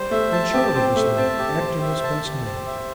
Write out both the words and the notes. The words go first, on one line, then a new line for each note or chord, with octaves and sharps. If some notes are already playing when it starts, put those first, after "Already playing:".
And Charley was there, acting as best man.
Already playing: G3 C5
A3 E5
A5
C4 G4
C4 C5
A3 E5
C4 A5
G4
C5
E5
A5
G4
C5
E5